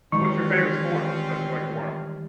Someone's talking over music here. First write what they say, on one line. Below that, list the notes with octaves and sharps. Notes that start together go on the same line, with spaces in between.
What's your favorite sport that you like to wat
D#3 E3 G3 G#3 C4 C#4 F4 C#6